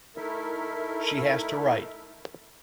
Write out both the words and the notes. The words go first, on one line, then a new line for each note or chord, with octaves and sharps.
She has to write.
A3 D#4 E4 A4 A#4 E5